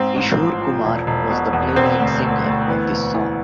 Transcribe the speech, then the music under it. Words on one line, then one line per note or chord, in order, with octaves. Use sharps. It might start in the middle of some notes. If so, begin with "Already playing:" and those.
Kishore Kumar was the playback singer of this song.
Already playing: G#2 C4
A1
F3
F3
E1
E1
B2
E2
E1 C4
D2
D2
D2
E3 B3
E1
E3